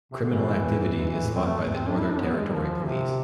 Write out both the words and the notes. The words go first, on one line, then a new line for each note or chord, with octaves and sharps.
Criminal activity is fought by the Northern Territory Police.
C3
D3
G#2 B2 E3
E2
E2 G#2 E3
E3
F2 A2
C4
A3
E2 G#2
C4
D4
E4
D4
B3
G#3
F3
C3